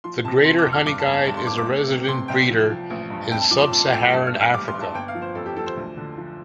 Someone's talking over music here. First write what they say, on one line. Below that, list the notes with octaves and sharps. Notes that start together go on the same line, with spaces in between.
The greater honeyguide is a resident breeder in sub-Saharan Africa.
F3 C6
C3 A5
F2 C6
D6
F2
F6
G2 D6
A5
G1
A5
G2 A5
C6
G1 D6
D6
A3
C3
C3 C6
C2 G5
F3
F3
A1
G2
F2 G5
A5
F3 D6
C6
D6
F2 A5
A3 G5
G2 A5
F6
A1
F6
G3 D6
C6
G2
A5
G1 G5
F5
F3
C5
F2 A4
G4
F3 A4
C5
D2
D3
F3